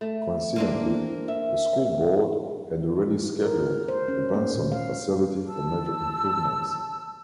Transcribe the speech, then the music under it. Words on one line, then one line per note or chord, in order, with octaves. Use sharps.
Coincidentally, the School Board had already scheduled the Benson facility for major improvements.
A3
A#3 C4 D4
E5
A#4
C5
C#4
A#3
A#2
F5
A5 E6